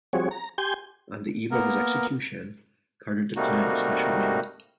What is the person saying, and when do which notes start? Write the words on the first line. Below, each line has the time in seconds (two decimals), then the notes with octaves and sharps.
On the eve of his execution, Carter declined a special meal.
0.13 F3 G3 C4 F#4 G#4 C#5
0.31 A#5
0.58 G4 G#5 C6 G6
1.51 A#3 B3 A#4
3.36 C3 G3 A3 A#3 D#4 F#4